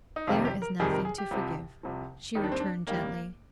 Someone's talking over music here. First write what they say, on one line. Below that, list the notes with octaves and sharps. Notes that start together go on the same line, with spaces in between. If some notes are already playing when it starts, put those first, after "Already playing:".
"There is nothing to forgive," she returned gently.
D#4
F2 C3 D#3 G3 F4
G4
A#4
F2 C3 D#3 G3 G#4
A#4
G#4
G4
C2 C3 F3
C2 C3 F3
D#2 D#3 G3 D#4
D4
C4
D4
D#2 D#3 G3 A#3